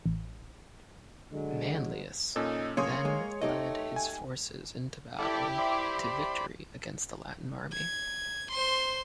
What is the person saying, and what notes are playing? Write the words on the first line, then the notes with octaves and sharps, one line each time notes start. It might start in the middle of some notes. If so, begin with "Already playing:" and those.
Manlius then led his forces into battle to victory against the Latin army.
A1
D3 F#3 G#3
A#2 C#4 D#4 A4
F#2 A2 C#3 A#3 C#5 C6 D#6
G#3
A3 D#4 G4 D#5
G#5
E4 G4 A4 D5
C5 D5 B5
G#6
C5 C6